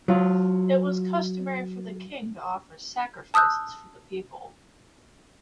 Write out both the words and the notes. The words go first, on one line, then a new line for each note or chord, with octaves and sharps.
It was customary for the king to offer sacrifices for the people.
F#3 F4
A5 D#6 E6 F#6 G6